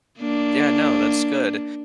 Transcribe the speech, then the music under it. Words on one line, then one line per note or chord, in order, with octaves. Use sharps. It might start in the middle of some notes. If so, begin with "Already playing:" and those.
Yeah, no, that's good.
A#3 D4